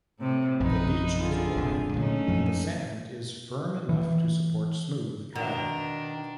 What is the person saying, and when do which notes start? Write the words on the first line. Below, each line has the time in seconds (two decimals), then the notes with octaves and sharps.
The beach is wide and the sand is firm enough to support smooth driving.
0.19 A2 C3
0.60 A#1 F#2 F3 D#4 B4
1.17 D3 F4 G#4
1.55 E1 C2 G2
1.94 A#2 D3 F#3 A3 C#4 D#4
2.27 F#2 F3 F#3
3.89 E3
5.35 B2 D#3 D4 A#5